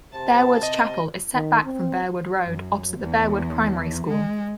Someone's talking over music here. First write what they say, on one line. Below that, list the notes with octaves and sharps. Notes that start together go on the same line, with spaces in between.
Bearwood Chapel is set back from Bearwood Road opposite the Bearwood Primary School.
C3 A5
D#5
D#3
C4
F#2
E2
G#3